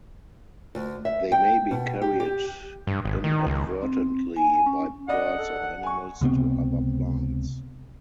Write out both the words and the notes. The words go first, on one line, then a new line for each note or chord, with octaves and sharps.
They may be carried inadvertently by birds or animals to other plants.
D2
E5
G5
B2
G4
G4
G2
G#1
D#3
C#2
C4
G#5
C#4
D4 D5 D#5 F#5
A4
G#5 C#6
C#2 C3 B3 C4